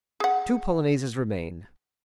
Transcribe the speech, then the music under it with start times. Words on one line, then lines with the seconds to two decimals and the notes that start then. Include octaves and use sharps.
Two Polonaises remain.
0.20 G#4 F#5